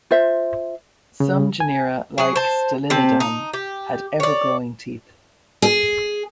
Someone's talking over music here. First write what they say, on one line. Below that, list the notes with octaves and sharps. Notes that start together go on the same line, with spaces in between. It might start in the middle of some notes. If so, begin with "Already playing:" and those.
Some genera, like "Stylinodon", had ever-growing teeth.
F4 C5 E5
C#3
G#5
F#3 G#4
C5 A5
C3 C4 A5
D#4
G4
C#5 D5
G#4